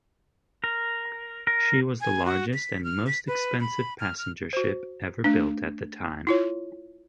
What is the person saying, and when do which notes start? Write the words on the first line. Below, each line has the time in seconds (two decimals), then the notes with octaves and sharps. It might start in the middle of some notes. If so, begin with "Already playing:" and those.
She was the largest and most expensive passenger ship ever built at the time.
0.64 A#4
1.47 A#4
2.01 G#5
2.26 F#4
2.54 B6
2.84 F6
3.07 B6
3.28 B4
3.60 B5
4.00 F6
4.18 F6
4.53 F#4 C5
5.24 A3 D4
6.27 E4 F4 C#5